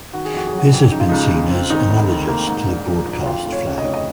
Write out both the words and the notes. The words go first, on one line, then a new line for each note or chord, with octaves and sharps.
This has been seen as analogous to the broadcast flag.
D#3 F#4
G#4
F2 F#4
G#4
F#3
F#4
F2
C#3 D#4
F4
C#2 D#4
G#3
C4
D#2 D#4
F1
D#3
A#3
G#2
A#1
F3
A#1
F#4
F2 F4
F1
C#5
C#3
D#5
F1 C#5
D#5